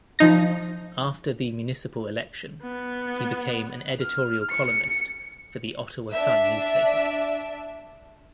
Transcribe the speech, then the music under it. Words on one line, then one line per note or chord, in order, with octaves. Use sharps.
After the municipal election, he became an editorial columnist for the "Ottawa Sun" newspaper.
F3 D#4 A#6
B3
F6
C#7
D4 E5